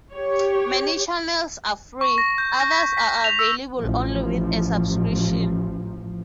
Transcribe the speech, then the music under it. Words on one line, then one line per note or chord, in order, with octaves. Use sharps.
Many channels are free, others are available only with a subscription.
G4 C#5
C#6
A#6
G6
A#6
B6
B6
F7
E6
A1 F3